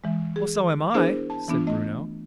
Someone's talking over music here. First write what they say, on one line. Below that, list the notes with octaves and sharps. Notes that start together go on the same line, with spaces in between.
"Well, so am I!" said Bruno.
E3 G#3
G#4
B3 D4 E4 G#4 A#4 C5
A5
E3 B3 D4 F4
A3 D#5